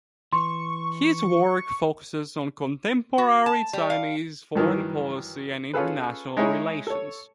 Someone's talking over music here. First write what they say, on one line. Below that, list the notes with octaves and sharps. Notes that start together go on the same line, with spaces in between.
His work focuses on contemporary Chinese foreign policy and international relations.
E3 C6 C#6
F#4
A5
G3
F5
G2 D#3 E3 F#3
C#4 F4 G#4 A4 B4
G#3 D#4 E4 G#4 C#5
A4 C#5